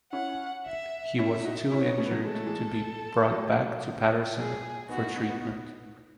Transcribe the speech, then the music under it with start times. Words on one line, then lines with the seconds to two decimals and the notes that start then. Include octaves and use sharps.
He was too injured to be brought back to Paterson for treatment.
0.12 C#4 E4 F#5
0.66 E5
1.18 C#4 E4 E5
1.45 D#4 F#4
1.71 C#4 E4 C#5
1.85 B3 D#4
1.98 A3 C#4
2.06 B3
2.11 F#3 A3
2.25 G#3 A4
2.35 A3
2.46 E3 G#3
3.30 F#3 A3
4.36 G#3 B3 G#4
4.89 B3 D#4 F#4
4.97 E4
5.02 B3 D#4
5.16 B3 D#4
5.29 B3 D#4